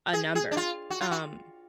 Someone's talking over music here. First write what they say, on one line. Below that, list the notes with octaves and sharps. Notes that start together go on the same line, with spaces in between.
a number. Um,
G#4
G#4
D4
F4
F#4
F4
F#4